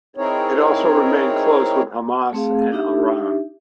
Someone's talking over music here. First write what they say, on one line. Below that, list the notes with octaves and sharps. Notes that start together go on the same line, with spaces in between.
It also remained close with Hamas and Iran.
C4 D#4 E4 G#4 A#4 C#5
A3 C4 G#4 F5
D4 D#4 G4 E5